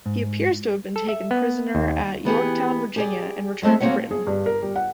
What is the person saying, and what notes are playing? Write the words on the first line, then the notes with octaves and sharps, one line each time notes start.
He appears to have been taken prisoner at Yorktown, Virginia and returned to Britain.
G#2
A4
E5
B3
D#2
E3 B3 G4 G#4
G4 G#4 D5
F#3 G#3 A3 C4 E4
D#2 A#3 C4 F#4 C#5 F#5
G#4
G2
A#4
G3
F#5